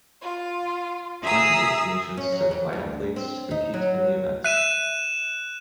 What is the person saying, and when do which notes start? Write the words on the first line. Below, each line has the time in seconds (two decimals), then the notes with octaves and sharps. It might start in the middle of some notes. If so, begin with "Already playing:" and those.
Twenty-eight nations sent biathletes to compete in the events.
0.21 F4
1.23 G#4 E5 A#5 D#6 E6
2.17 C#4
2.32 F#3
2.51 F2
2.73 D2
3.16 C4
3.51 D#4
3.74 F#3
4.44 E5 F#6 D#7 E7